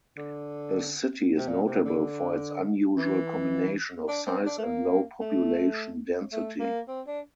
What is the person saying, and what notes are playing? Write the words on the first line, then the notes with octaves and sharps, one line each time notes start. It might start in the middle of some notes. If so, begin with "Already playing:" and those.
The city is notable for its unusual combination of size and low population density.
D3
C3
A#2
C3
D3
E3
D4
C4
D4
A3
A#3
A3
A3
A#3
C4
D4